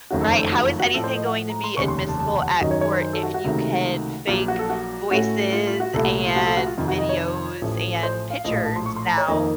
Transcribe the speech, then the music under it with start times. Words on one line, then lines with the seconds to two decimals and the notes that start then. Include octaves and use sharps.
Right, how is anything going to be admissible at court if you can fake voices and videos and pictures now?
0.11 F#1 F2 D#3 A3 C#4 F#4
0.21 A4
0.32 C5
0.42 A4
0.52 F#4
0.67 F4
0.80 F#4
0.94 A2 F3 A3 A4
1.04 C5
1.15 D#5
1.26 F#5
1.50 A#5
1.64 C6
1.77 F1 D#2 C#3 C#6
1.88 C6
1.98 C6
2.09 A5
2.19 A5
2.40 F#5
2.61 F#2 D#3 F#3 D#5
2.71 C#5
2.81 C#5
2.92 C5
3.02 C5
3.13 A4
3.23 F#4
3.34 F#4
3.44 C#2 C3 D#3 A3
4.27 A#1 A#2 F#3 F4
4.48 F#4
4.59 A4
4.70 F#4
5.11 A2 A3 C#4 F#4
5.53 F4
5.67 F4
5.80 F#4
5.94 C2 A#2 A3 A4
6.05 F#4
6.26 F4
6.36 F#4
6.46 A4
6.57 F#4
6.67 F4
6.77 F2 C3 D#3 F4
6.88 F#4
6.98 D#5
7.09 C#5
7.62 A1 A2 F3 A3
8.03 C5
8.30 F5
8.44 A#1 A2 F3 D#5
8.56 F5
8.65 A5
8.76 C6
8.86 C#6
8.96 C6
9.07 A#5
9.18 C#5
9.28 F2 D#3 A#3 D#4 D#5